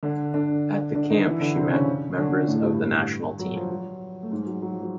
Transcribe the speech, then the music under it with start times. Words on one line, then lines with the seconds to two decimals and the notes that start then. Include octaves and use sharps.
At the camp she met members of the national team.
0.03 D3 D4
0.34 D3 D4
0.95 D3 D4
1.10 D#3 D#4
1.25 E3 E4
1.40 D3 D4
1.56 C3 C4
1.71 C#3 C#4
2.10 C#4
2.17 D3 D4
2.47 A2 A3
2.63 G2 G3
3.39 F#3
3.55 F3
3.70 F#3
4.23 A3
4.31 G#2 G#3
4.46 F#3
4.62 F#3
4.72 F3
4.82 F#3